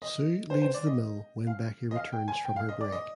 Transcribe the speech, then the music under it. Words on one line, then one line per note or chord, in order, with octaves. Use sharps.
Su leaves The Mill when Becky returns from her break.
D#5
C5
C5
D5
D#5
F5
D#5
F5
G5
G#5
G5
F5
D#5
D5
D#5